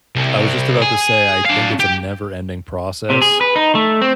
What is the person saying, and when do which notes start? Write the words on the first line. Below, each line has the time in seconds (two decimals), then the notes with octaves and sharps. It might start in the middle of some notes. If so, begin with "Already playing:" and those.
I was just about to say I think it's a never-ending process
0.16 C2
0.82 G#4
1.46 D4 F5
1.80 G4
3.10 C3
3.22 G#4
3.41 B4
3.56 D#4
3.75 A3
4.02 C4